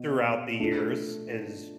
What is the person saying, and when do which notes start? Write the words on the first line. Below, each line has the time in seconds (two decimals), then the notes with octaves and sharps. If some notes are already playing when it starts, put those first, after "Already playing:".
throughout the years is
Already playing: B2
0.60 A3 D4 F4 A4